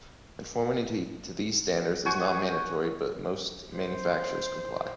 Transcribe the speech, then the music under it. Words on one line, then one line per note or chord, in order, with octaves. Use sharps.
Conformity to these standards is not mandatory, but most manufacturers comply.
F#4 C5 G#5 C#6
C5